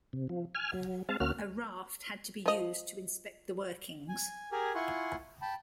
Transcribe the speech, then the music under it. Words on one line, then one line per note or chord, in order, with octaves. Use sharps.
A raft had to be used to inspect the workings.
C3
F3
G#5 F6
F#3
G#3 C4 F5 A5
D2 A#3 C#4 F#4 F6
F3 D#5
G#5
G4 G#4 A#4 G#5
E4 F4 F#5 G#5 C6 C#6
G5 A5 B5